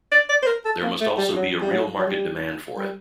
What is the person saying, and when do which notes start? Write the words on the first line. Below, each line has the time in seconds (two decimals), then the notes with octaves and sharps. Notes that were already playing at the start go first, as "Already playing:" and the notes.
There must also be a real market demand for it.
0.12 D5
0.29 D5
0.42 C5
0.46 A#4
0.65 A4
0.83 A#3
1.01 A3
1.18 G3
1.35 F#3
1.62 G3
1.71 F#3
1.98 F#3
2.07 G3
2.78 G3